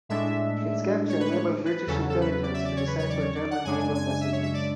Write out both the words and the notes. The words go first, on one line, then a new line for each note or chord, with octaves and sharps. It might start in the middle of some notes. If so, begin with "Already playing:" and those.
Its capture enabled British intelligence to decipher German naval messages.
A2 G#3 D4 E5
C#5
B4
C#5
B4
E2 C#3 F#3 C#4 A4
A4
B4
B4
D5
E5
D5
C#5
B4
C#5
D5
C#5
D5
F#5
F#2 C#3 G#3 D4 G#5
G#5
G#5
G#5
E5
C#5
E5
D5